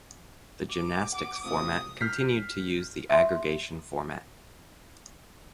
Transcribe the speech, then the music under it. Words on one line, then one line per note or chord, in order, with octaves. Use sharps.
The gymnastics format continued to use the aggregation format.
D6
F#5
C3 A3 F4 D#6
F6 G6 B6 C7
E5 C6